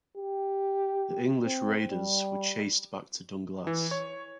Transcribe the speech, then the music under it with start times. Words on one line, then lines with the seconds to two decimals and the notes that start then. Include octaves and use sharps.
The English raiders were chased back to Dunglass.
0.17 G4
1.45 C4
1.91 G3
3.67 E3
3.91 C#5